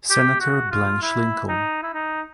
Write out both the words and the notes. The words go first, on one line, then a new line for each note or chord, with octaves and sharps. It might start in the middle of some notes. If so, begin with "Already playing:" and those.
Senator Blanche Lincoln.
G4
F#4
F4
E4
D#4
E4
D#4